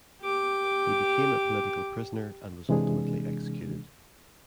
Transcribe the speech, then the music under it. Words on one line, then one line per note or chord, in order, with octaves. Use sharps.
He became a political prisoner and was ultimately executed.
G4 D6
C3 E3 G#3 D4 G#4